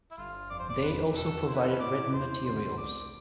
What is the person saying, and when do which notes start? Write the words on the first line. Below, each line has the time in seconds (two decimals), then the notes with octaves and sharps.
They also provided written materials.
0.11 E4
0.17 G1 F4
0.50 F2 D5
0.59 C5
0.69 D5
0.83 E2 B4
1.15 B2 A4
1.47 E4 C5
1.54 B4
1.62 A4
1.68 B4
1.80 A2 D5
2.13 E2 C5
2.45 D3 C5
2.78 C2 D5